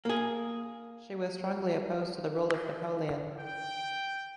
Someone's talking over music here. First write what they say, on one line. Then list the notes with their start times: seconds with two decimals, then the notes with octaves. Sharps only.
She was strongly opposed to the rule of Napoleon.
0.05 A#3 G#4
3.40 G5